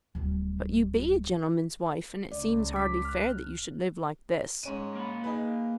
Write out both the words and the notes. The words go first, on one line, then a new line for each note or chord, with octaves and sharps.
"But you BE a gentleman's wife; and it seems hardly fair that you should live like this!"
D1 G3
C#2 D5
D6 B6
F6 F#6
G#2 C#4 D#7
A#3 B5
D#4 G#4 B4